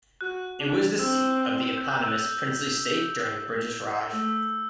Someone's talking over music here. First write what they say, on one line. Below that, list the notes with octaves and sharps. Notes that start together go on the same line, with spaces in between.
It was the seat of the eponymous princely state during the British Raj.
F#4 F#6
D4
C4 E6
G6
F#6
E6
F#6
A3 E6